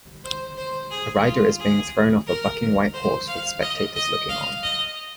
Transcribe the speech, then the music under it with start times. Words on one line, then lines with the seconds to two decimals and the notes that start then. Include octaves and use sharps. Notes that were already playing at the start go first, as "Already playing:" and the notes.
A rider is being thrown off a bucking white horse with spectators looking on.
0.24 C5
0.57 C5
0.91 G#4
1.25 F4
1.59 G#4
2.27 A#4
2.94 C5
3.28 F5
3.62 D#5
3.96 D#5
4.29 F5
4.63 D#5